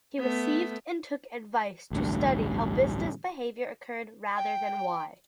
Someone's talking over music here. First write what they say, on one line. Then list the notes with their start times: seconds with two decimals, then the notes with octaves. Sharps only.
He received and took advice to study how business behaviour occurred rather than why.
0.19 A3 B3
1.92 A1 D2 G2
4.37 G5